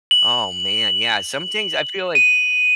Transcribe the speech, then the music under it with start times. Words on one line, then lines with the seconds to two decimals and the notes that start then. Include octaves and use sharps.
Oh, man, yeah, some things I feel like
0.11 F#7
2.15 D#7